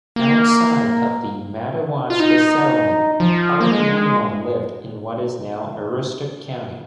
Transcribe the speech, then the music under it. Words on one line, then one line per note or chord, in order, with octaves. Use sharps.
Outside of the Madawaska settlement, hardly anyone lived in what is now Aroostook County.
A#3
F4
D#4
F3
A#3
G#3